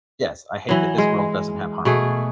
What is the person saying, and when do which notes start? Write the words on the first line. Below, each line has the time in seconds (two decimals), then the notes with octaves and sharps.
Yes, I hate that this world doesn't have harmony.
0.69 E3 F#3
0.98 G#3
1.85 B2 A3 G#4